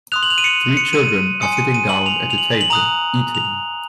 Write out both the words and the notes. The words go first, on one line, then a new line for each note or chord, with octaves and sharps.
Three children are sitting down at a table eating.
C6 D#6 F#6 F7
F#7
F7
D#7
C#7
C#7
D#7
D#7
G#5 C6 D#6 C#7
D#7
C#7
D#7
F#7
F7
F7
F#7
F#7
A#5 D#6 F#6 F7
F7